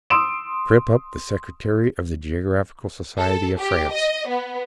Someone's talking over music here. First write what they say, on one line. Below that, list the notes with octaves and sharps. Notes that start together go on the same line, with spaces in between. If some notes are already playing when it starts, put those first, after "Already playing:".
"Trip up the Secretary of the Geographical Society of France."
C6 D#6 E6 D7 E7
A4
G4
D#5
B3